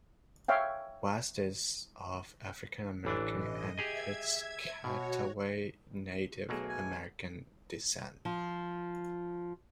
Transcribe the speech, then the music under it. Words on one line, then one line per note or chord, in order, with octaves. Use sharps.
West is of African American and Piscataway Native American descent.
C#5 E5 F5 G5
A1 E3 D4
D#5
G4 G#4 D#5 E5 G#6
B2 F#4 C#5
B1 B2 F#3 A3 A#3 G#4
G#5
F3